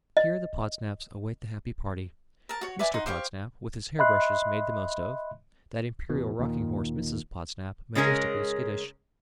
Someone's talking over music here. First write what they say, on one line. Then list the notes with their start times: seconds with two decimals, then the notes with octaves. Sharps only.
Here, the Podsnaps await the happy party; Mr Podsnap, with his hair-brushes made the most of; that imperial rocking-horse, Mrs Podsnap, majestically skittish.
0.17 D#5
2.49 A#4 A5
2.61 F#4 C#5
2.79 B4 D5 E5 G#5
2.94 D#4 F#5 C6
3.06 G4 C5 F5 C#6
3.99 D#5 E5 B5 C6 F#6 C7
6.10 E2 B2
6.39 D#2 A#2 D#3
7.95 C#3 G#3 C#4 G#4 A#4